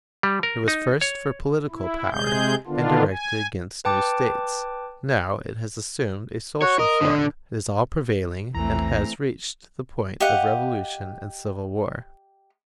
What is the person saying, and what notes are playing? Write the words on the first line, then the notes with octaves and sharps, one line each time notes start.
It was first for political power, and directed against new States; now it has assumed a social form, is all-prevailing, and has reached the point of revolution and civil war.
G3
A#4
D#4
C#5
E4
C3 G#3 G#4 G6
D3 D#3 B3 D4 F4
G#5
B4 G5 A5 D6 A6
F#4 C#5
A#4 D#5
D3 D4
A#1 E2 E3 A3 C4 A#5
G4 D#5 F5 F#5